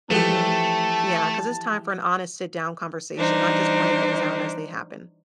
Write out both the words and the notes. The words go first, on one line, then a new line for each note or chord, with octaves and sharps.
Mhm. Yeah, 'cause it's time for an honest sit down conversation, not just pointing things out as they happen
E3 F3 A3 G4 A4 A5
E3 G3 D4 D#4 C5